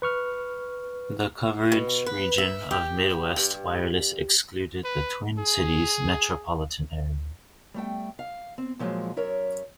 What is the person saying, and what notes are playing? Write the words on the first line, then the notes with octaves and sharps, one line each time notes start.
The coverage region of Midwest Wireless excluded the Twin Cities metropolitan area.
B4 C#6 F6
B2
B4
E5
G4
G2
B4
G#4
G3 A3 G5
F5
C4
A#2 F3 F#3 G#3
F#2 A#4 C#5 E5